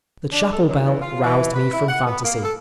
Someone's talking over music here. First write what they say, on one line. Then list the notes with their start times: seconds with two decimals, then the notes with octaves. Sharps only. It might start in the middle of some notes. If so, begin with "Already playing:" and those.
The chapel-bell roused me from phantasy.
0.32 D4
0.52 A4
0.69 F#2
0.85 E2
1.02 F4
1.23 E3
1.54 B4
1.73 E4
1.88 F#5
2.06 B3
2.25 A#3
2.44 A4